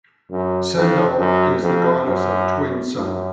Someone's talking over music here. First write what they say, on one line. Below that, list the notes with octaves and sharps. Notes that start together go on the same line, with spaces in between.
Sendell is the goddess of Twinsun.
F#2
F2
F#2
F2
F#2
F#2